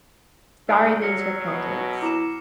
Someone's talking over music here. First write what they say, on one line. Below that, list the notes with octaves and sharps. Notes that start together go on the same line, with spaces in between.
sorry means repentance.
G#2 D5 A#5 D#6 E6 C7 D7
F#3 F6 A#6 C#7
B2 F#5 D#6
E4 D6 E7